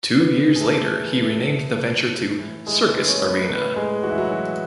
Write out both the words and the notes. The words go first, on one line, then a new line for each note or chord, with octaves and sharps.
Two years later he renamed the venture to Circus Arena.
A2 B3 B4
A2
G#4
A3 A4
E3
E3
A2
A2
A2
A2
E3
E3 G#3 G#4
B3 B4
A2
C#4 C#5
A2 C#5
B3 B4
A2 B3 B4
A2 G#3 G#4
E3 F#4
E4
F#3 F#4
E3